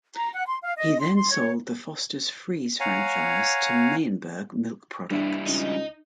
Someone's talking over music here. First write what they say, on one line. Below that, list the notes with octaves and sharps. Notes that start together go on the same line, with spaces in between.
He then sold the Fosters Freeze franchise to Meyenberg Milk Products.
A#5
F#5
C6
F5
D#5
C6
C6
C#5
C#5 F5 F#5 G#5 A#5
G2 G3 D4 E4
C#2 D#4